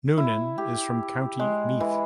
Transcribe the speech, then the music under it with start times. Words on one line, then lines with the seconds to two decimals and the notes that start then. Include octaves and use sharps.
Noonan is from County Meath.
0.18 E4
0.58 G4
1.39 G#3
1.80 E3